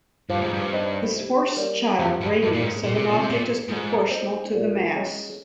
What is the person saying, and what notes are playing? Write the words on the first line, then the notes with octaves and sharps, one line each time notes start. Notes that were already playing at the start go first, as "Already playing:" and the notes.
The Schwarzschild radius of an object is proportional to the mass.
G2 F3
G#2
G2
C4 D#4
C3
G3 A#3 C#4
F2 C3
G2
G2 D#3 G#3
A#2
G#2
A#2 D#3
C3
A#2
C3
A#2 G#3 C#4
G#2 F3
C4 D#4
A#2
G#3 C#4